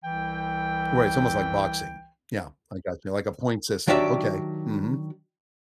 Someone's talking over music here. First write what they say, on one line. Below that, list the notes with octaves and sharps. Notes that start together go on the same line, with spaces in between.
Right, it's almost like boxing. Yeah, I got you. Like a point system. Okay. Mhm.
C2 E3 G5
D#3 F#3 D4 G4 D5 E5